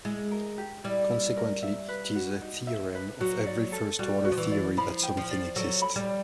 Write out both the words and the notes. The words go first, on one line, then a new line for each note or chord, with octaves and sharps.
Consequently, it is a theorem of every first-order theory that something exists.
G#3 E4
A#4
G4
G3 E4
E4
A#4
E5
B4
F#4
D#4
E5
B4
F#3 F#4
D5
A4
G3 F#4
F#4
F3
E3
D5
F3 B5
G5
F3
D5
F#3 A4
B5
G3